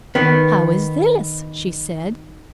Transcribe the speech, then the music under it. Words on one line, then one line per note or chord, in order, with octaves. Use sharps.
"How is this?" she said.
D#3 B3